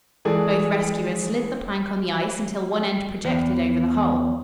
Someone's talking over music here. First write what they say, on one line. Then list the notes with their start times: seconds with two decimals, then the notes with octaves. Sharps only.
Both rescuers slid the plank on the ice until one end projected over the hole.
0.25 E3 G#3 G#4 A4 D5
3.25 E2